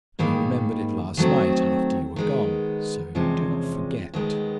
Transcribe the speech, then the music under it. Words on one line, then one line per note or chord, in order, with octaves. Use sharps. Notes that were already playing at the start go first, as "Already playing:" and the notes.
I remembered it last night after you were gone, so do not forget.
G#2 D#3 G3 A#3
D#3 F#3 A3 C4
D#3 G#3 B3
E2 C3 F3 G#3 C#4
D#2 D#3 G#3 B3